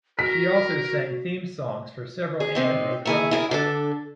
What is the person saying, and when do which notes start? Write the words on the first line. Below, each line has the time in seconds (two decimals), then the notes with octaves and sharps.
She also sang theme songs for several anime programs.
0.19 F#4 A#4 B6
2.40 G#4
2.55 C3 C4 D#4
3.05 A3 A#3 E4 G#4 G#5
3.31 E4 G#4 A#4
3.51 D3 D4 A4